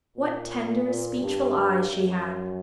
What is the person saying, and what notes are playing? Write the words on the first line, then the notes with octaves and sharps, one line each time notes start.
What tender, speechful eyes she had!
A#2
A#2
G2
F#2